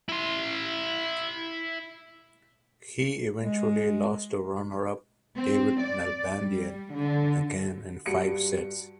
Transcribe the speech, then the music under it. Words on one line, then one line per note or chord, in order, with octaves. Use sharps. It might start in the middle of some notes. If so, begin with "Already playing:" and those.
He eventually lost to runner-up David Nalbandian, again in five sets.
E4 C6
G#3
C4
D5
G3
D3
G2 G3 F#4 C#7 D7